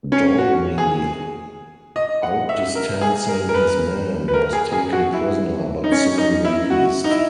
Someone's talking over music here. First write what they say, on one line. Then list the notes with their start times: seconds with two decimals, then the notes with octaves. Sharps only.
Daubeny, outdistancing his men, was taken prisoner, but soon released.
0.12 C#4
0.38 F#4
0.78 G#4
1.96 D#5
2.23 F#5
2.49 E5
2.75 A#4
3.01 G#4
3.28 A#4
3.49 A#4
3.54 B4
4.28 B4
4.34 A#4
4.53 G#4
4.73 G#4
4.93 F#4
5.13 E4
5.84 D#4
5.92 C#4
6.18 D#4
6.45 E4
6.70 F#4
7.04 D#4
7.11 E4